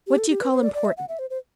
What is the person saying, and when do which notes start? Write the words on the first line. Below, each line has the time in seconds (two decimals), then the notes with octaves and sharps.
"What do you call important?"
0.07 G4
0.18 A4
0.30 G4
0.41 B4
0.52 C5
0.63 D5
0.74 D5
0.85 E5
0.97 F#5
1.09 E5
1.19 C5
1.30 C5